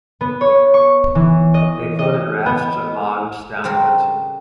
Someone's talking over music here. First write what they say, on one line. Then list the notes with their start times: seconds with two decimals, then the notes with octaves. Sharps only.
They floated rafts of logs down the Hudson.
0.21 B3
0.41 C#5
0.74 C#6
1.15 E3
1.54 D#5
1.99 D#5
2.46 B3
3.64 C#3 G3 C4 A4 A#4